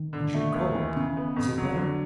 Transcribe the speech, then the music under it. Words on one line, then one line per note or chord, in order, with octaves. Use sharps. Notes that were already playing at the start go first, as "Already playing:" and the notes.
'And your cold, is it better?'
Already playing: D#3
D3
A3
D#2
E3
C#3
B3
F2
F#3
D3